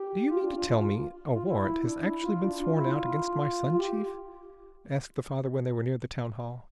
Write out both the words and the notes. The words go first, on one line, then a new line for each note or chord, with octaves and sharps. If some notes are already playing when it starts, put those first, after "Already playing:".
"Do you mean to tell me a warrant has actually been sworn out against my son, Chief?" asked the father, when they were near the town hall.
Already playing: G4
F4
D4
F4
F4
F4
F4
E4
D4
E4
F4
D4
F4
E4
F4
F4
G4